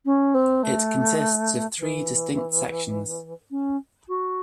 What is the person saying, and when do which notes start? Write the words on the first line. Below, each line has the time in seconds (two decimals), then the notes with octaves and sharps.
It consists of three distinct sections.
0.05 C#4
0.34 C4
0.63 A3
1.78 E3
3.50 C#4
4.08 F#4